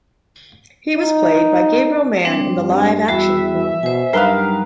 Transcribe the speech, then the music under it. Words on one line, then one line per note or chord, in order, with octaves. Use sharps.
He was played by Gabriel Mann in the live-action film.
D#4
G3 C4 D4
G2
E2 G3 F#4 E5 B5
B2 C5 G#5
G2 F#3 G3 D#4 A#4 B4 F5